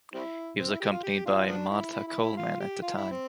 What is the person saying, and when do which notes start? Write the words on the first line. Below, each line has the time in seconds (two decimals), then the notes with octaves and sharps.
He was accompanied by Martha Coleman at the time.
0.14 G3 C4 E4
0.58 C4
0.70 E4
0.81 G4
0.91 F4
1.03 G4
1.26 D4 F4
1.47 F3 B3 D4
1.70 E4
1.93 E4
2.07 E4
2.22 E4
2.37 F4
2.60 G4
2.82 F4
2.96 E4
3.11 C4